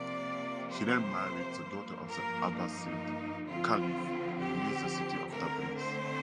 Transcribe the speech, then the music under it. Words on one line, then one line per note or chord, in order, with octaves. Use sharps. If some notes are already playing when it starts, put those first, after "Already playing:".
He then married the daughter of the Abbasid Caliph near the city of Tabriz.
Already playing: C3 F3 A#3 D5
C5
G2 F3 A#3
A#4
D#4
D3 F3 C4 F4
G4
D3 A3 C4 A#4
C5